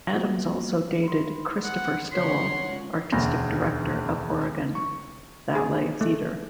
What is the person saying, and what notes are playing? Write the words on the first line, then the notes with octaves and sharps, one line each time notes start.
Adams also dated Christopher Stowell, artistic director of Oregon Ballet Theatre.
F#3 G3 A#3 B3 F4 F#4
B5 C6
F#5
C#3 F4 C#5 F#5 C6 B6
G#3 C#4 F4
E1 D2 A#6
C#6
G#4
A3